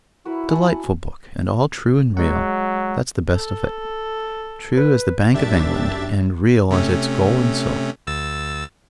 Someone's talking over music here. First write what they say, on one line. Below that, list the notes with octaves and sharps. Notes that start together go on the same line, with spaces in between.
It's a delightful book, and all true and real--that's the best of it--true as the Bank of England, and real as its gold and silver.
E4 F#4 A#4 B4
F#5 G#5 A5
F#3 G#3 F#5
A4
B4
G1 F#2 D4 G4 E5 A6
C3 A3 C#4
D2 E6 A6